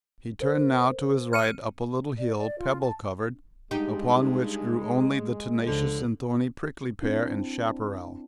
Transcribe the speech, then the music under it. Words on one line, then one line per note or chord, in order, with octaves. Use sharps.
He turned now to his right up a little hill, pebble-covered, upon which grew only the tenacious and thorny prickly pear and chaparral.
A#4 C5
F6 C#7 D#7
D5
D5
F4
A5
G2 G#3 D#4 G4
C#2 D3 F3
C4 D4 E4